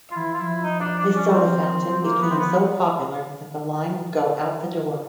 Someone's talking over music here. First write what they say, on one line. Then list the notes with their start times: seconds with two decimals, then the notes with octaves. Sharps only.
His soda fountain became so popular that the line would go out the door.
0.11 F4
0.16 E3 E4
0.33 F4
0.40 F3 E4
0.63 F3 D#4
0.80 D4
0.98 D4
1.16 C#4
1.33 C4
2.03 A#3
2.21 B3
2.30 C4
2.38 B3